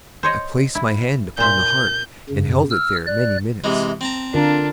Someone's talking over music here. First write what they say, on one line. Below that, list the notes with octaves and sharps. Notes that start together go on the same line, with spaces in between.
I placed my hand upon the heart and held it there many minutes.
C5 C#5 D#5
E4
A#2 C5 E5 G6
F#2 C#3
E6 F6
D5 F#6
C3 E3 G#3
C4 A5 A#5
D3 D4 F4 A#4